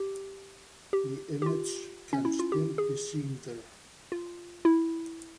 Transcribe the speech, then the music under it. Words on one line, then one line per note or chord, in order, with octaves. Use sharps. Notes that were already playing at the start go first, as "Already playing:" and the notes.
The image can still be seen there.
Already playing: G4
G4
G4
F4
C#4
E4
F4
G4
G#4
F4
E4